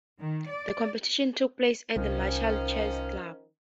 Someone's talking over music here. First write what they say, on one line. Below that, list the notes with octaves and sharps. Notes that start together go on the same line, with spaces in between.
The competition took place at the Marshall Chess Club.
D#3
D5
C2 D#3 F3 C#4